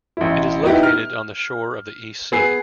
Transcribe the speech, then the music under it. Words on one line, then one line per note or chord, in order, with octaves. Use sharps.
It is located on the shore of the East Sea.
A1 E4
B3 D#4 E4 G4
F6
B3 G#4 C7